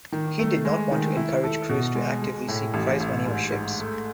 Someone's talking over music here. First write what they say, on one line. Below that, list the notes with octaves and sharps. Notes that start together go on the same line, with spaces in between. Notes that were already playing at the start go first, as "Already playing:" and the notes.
He did not want to encourage crews to actively seek prize money or ships.
D#3
A3
G#3
D#3
E4
A4
B2
G#3
G#3
A2
A1
A1
G#2
G#2
A3